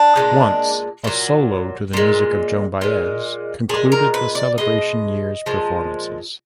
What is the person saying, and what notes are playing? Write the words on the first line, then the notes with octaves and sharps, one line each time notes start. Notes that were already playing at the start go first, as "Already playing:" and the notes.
"Once", a solo to the music of Joan Baez, concluded the celebration year's performances.
Already playing: D4
A#2 F3 G#3
A#2 F#3
A#2 G#3
A#2 G#3
A#2 G#4
G#3
A#4
B4
D5
B2 G#3 D#5
A#2 F3 G#3